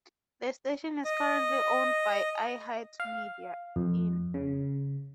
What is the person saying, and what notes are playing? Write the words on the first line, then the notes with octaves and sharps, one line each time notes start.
The station is currently owned by iHeartMedia, In.
D#5
F5
F2
C#3